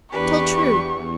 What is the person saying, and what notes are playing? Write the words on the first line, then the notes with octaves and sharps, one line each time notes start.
Tell true.'
E2 D4 G4 B4 C#6